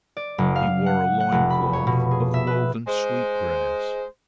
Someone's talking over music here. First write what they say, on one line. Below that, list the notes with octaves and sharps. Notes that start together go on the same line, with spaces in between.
He wore a loin cloth of woven sweet grass.
D5
F#1
F5
F#5
F#5
F1
B5
C#5
B2
G#4
E5
B4
G#3 C5